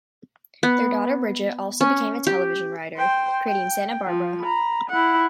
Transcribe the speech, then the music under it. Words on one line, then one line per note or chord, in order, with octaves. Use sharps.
Their daughter Bridget also became a television writer, creating "Santa Barbara".
B3
C#4
G4
C5 G5
G5
F3
A#5 B5
E4 F#5